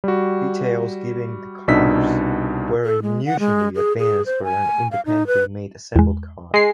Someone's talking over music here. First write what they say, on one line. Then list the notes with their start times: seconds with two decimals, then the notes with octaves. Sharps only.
Details given the cars were unusually advanced for an independently made assembled car.
0.04 G3 F#4
1.68 C2 B2 D4 D#4 E6 B6
2.85 A4
3.03 G#3
3.26 F#5
3.39 G#3
3.75 G#4
3.99 G#4
4.26 C5
4.44 G#5
4.91 F5
5.06 D#4
5.27 B4
5.96 E2 G#3
6.54 G#3 C7